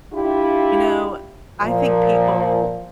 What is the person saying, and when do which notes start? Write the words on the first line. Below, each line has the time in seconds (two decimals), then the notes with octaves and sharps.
you know, I think people
0.13 D4 E4 F4 G4
1.59 A#2 F3